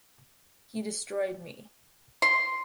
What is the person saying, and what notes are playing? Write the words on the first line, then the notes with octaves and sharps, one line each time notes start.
He destroyed me.
C6